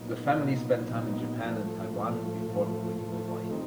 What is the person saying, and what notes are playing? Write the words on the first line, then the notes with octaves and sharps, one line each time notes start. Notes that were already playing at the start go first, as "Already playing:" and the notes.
The family spent time in Japan and Taiwan before moving to Hawaii.
Already playing: A#2 F#3 B3 D#4
A#2 F#3 B3 D#4
A#2 F#3 B3 D#4
A2 F3 A3
A2 F3 A3
A2 F3 A3
A2 F3 A3
D#3 G3 C4 D#4